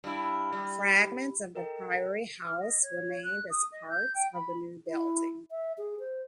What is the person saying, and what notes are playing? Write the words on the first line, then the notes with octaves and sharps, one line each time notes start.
Fragments of the priory house remained as parts of the new building.
G2 E4
G3
A4 A#4 D#5 G5 A#5
F6
D#5
C#5
F#6
D#6
D#5
G6
G5
B5
E4
E5
G#4
C5